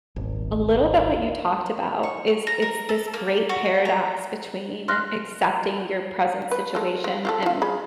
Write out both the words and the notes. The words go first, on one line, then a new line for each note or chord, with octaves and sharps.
A little bit what you talked about is it's this great paradox between accepting your present situation and
D#1 G#1
C#6
A#5
A#4
A4
A#3
F#4
A#5
C6 F6 F#6 A#6
B4
G#3 A4
G#3
F4 G4 A4
E4 F4
G#4 B5